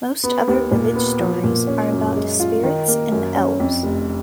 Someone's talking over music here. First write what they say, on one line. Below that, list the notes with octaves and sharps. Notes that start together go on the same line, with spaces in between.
Most other village stories are about spirits and elves.
B3
D#2
A#2
B3
F3
A#2
C#4
F#2
G#3
F4
D#3
A#3
F#2
C#4
F2
F1